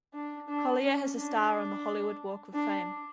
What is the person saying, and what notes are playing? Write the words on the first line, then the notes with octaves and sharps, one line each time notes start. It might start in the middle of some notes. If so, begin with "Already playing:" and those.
Collier has a star on the Hollywood Walk of Fame.
D4
D4
C#4
D4
D4